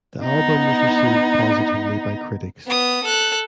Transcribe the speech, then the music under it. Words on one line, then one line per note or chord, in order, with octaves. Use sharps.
The album was received positively by critics.
B3 D#4
B3 D#6
A4 F#6